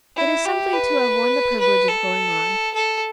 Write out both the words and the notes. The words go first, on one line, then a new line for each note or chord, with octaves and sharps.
It is something to have won the privilege of going on.
E4
G4
B4
B4
A4
A4